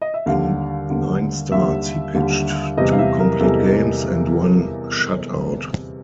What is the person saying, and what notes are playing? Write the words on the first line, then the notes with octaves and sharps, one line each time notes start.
In nine starts, he pitched two complete games and one shutout.
D#5
E5
D#2 D3 G3 F5
D#2 D3 G3
D#2 D3 G3 E5
D#2 D3 G3
E2 C3 E3 G3 D#5
F5
E5
A#4
E2 C3 E3 G3 A4